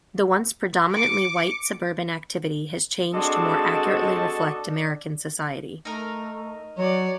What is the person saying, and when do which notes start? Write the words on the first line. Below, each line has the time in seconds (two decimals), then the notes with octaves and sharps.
The once predominantly white, suburban activity has changed to more accurately reflect American society.
0.92 D6 C#7
3.14 G#3 C4 D4 F#4 A4 D#5 A5
5.85 A3 D#4 A#4
6.78 F#3 F#4 C#5 D5